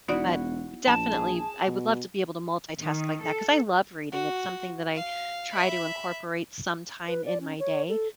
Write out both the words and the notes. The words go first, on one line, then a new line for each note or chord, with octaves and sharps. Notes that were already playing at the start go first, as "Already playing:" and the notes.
But, definitely, I would love to be able to multitask like that 'cause I love reading, it's something that I try to incorporate sometime in my day,
E1 B3 D#4 E4 F#4 D5
A#1 A5
G#4
B2
D#3
A4
F#4
F5
E5 B5
B4
D5
C#4
C#5
A4